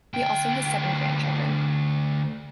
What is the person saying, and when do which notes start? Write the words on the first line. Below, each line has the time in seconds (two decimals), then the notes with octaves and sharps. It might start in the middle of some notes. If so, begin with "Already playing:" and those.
He also has seven grandchildren.
0.14 D2 G5